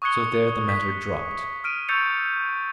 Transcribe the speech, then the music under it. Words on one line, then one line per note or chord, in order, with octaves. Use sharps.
So there the matter dropped.
C#6 D#6 F#6 G#6 C#7 G7
B6
D#6 F6 D7 D#7
C#6 E6 G6 A6 C#7 F7